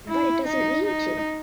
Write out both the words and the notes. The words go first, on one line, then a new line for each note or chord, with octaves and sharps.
But it doesn’t need to.
E4
D#4
D#4